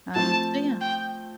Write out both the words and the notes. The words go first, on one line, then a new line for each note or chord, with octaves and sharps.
Um, so yeah.
F3 A3 C4 A5
G5